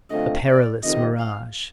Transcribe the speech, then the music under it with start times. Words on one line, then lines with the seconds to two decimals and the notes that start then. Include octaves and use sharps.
A perilous mirage!
0.10 D3 A3 C4 F4 D#5
0.47 D5
0.82 F2 C3 D#3 D#5
1.19 F5